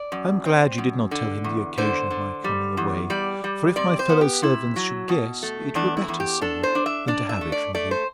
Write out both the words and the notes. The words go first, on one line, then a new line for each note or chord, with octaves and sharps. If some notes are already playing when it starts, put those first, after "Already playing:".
I am glad you did not tell him the occasion of my coming away; for if my fellow-servants should guess, it were better so, than to have it from you or me.
Already playing: D5
F#2
C4
F#2
D3
E2
D3 C5
D3
G3
E2
G3 D5
G3
C3 D5
C5
B3
G4
C3 E4
F#3
B2
A3
E2 D4
E4
E2
G4
D4 A4
C5
D4
E5
D4 D5
E5
A3
D5
A3 D5
C5